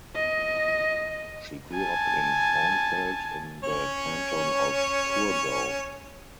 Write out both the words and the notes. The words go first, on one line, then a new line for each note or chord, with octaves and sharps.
She grew up in Frauenfeld in the canton of Thurgau.
D#5
G#5 A5
C#4 C#5